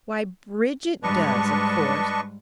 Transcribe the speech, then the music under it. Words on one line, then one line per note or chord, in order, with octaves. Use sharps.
"Why, Bridget does, of course."
G#2 G3 D4 B4 D5 D#5 A5 C#6